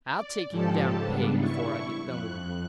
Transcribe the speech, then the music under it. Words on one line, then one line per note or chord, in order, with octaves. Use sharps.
I'll take you down a peg before I get done with you.
D5
G#2 C#3 F3 G4 A4 A5
G#2 C#3 G3 B3 D4
E4 C#6
F2 F#6